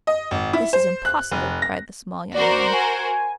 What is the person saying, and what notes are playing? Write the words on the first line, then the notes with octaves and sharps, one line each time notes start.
"This is impossible!" cried the small young man.
D#5
G#1
E4
C5
F#6
F1
A#6
F#4 A#4 C5 D5
G#5